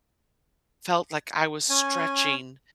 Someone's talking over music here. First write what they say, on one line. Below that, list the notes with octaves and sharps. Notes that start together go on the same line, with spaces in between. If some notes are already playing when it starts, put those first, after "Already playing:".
felt like I was stretching
C#4 G#5